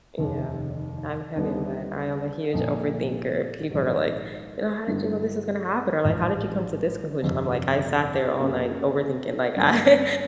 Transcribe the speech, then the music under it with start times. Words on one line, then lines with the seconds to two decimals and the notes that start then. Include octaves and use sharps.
Yeah, I'm heavy on that. I am a huge overthinker. People are like, "You're how did you know this was gonna happen?" Or like, "How did you come to this conclusion?" I'm like, "I sat there all night overthinking," like, I
0.18 F1 D#2 D#3
1.35 D#2 D3 G3 B3 D#4
2.53 A#1 A#2 F3 A#3 D#4
3.70 A#1 G#2 D#3 F#3
4.87 G2 D3 G3 B3 E4
6.05 A1 G#2 F3
7.22 G1 F2 C3
8.40 F#2 C#3 F#3 A#3
9.56 G2 D3 F#3 A#3 C#4